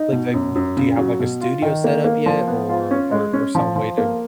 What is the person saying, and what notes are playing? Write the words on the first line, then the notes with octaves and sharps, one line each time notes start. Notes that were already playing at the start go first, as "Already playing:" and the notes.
Like d like y do you have like a studio setup yet or or or some way to
Already playing: D#4
B2
F#2
F#2
C#3
F#3
B2
F4
D#3
A#3
A#3
F3
B3
F4
C#4
G#3
C#4
F3
F3
A#3